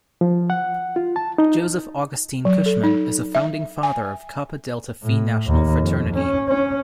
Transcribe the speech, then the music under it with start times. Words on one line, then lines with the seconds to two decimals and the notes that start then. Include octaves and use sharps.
Joseph Augustine Cushman is a founding father of Kappa Delta Phi National Fraternity.
0.21 F3
0.50 F#5
0.96 F4
1.16 A5
1.38 D#4
2.45 F#3
2.66 A4
2.84 D#4
3.35 E5
3.83 G#5
5.03 A2
5.47 D#2
5.82 F2
6.15 C#4
6.48 C#4